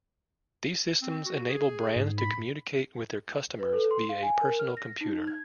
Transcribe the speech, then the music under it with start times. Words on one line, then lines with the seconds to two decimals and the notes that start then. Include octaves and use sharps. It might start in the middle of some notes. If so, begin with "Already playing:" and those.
These systems enable brands to communicate with their customers via a personal computer.
1.02 C4
1.26 F#4
1.49 G#4
1.96 G#2
2.18 B5
3.59 B4
3.73 A4
3.91 C6
4.09 F5
4.23 G#5
4.41 A#4
4.59 F6
4.77 A#6
5.01 D#4
5.27 G#6